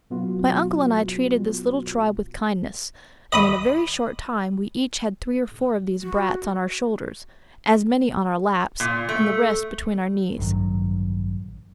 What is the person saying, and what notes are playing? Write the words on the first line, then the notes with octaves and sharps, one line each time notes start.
My uncle and I treated this little tribe with kindness; and in a very short time we each had three or four of these brats on our shoulders, as many on our laps, and the rest between our knees.
B2 F#3 B3 F4 F#4
D#5 B5 D#6
F#4
A#2
A3
A1 G2 D#3 F#3